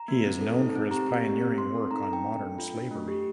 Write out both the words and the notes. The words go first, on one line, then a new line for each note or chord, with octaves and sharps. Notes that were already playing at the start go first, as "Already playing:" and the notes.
He is known for his pioneering work on modern slavery.
Already playing: A#5
A#3
C4
A4
D#4
C4
G4 A#5
C4
G4
C4
C4 C6
A4
D#4 A#5
C4 A#5
G5
D4
A4
F4
D4
A3
G4